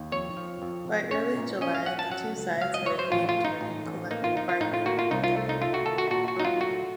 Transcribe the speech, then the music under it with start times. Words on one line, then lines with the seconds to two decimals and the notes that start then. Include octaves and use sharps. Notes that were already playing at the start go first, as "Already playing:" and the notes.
By early July, the two sides had agreed to a new collective bargaining agreement.
Already playing: D#2
0.12 F2 C#5
0.37 F3
0.62 F2
0.87 C3
1.11 C#4 C#5
1.36 A#2
1.61 C#4 D#5
1.75 F5
1.86 C#4 F#5
1.99 A5
2.11 F#3 F#5
2.37 C#2
2.61 F#3 F5
2.74 D#5
2.86 F#3 C#5
2.99 C5
3.12 A1 F4
3.29 F4
3.37 A2
3.45 D#4
3.61 A1
3.86 A1
4.11 A#3 D#4
4.24 F4
4.37 F3 D#4
4.49 F4
4.61 A2 D#4
4.74 F4
4.86 A#3 F#4
4.99 F4
5.11 C2 D#4
5.24 F4
5.36 A3
5.49 D#4
5.62 A3 F4
5.74 F#4
5.86 D#3 A4
5.98 F#4
6.11 A#2 F#4
6.28 F#4
6.36 F#3 D#4
6.45 F4
6.61 A3 F#4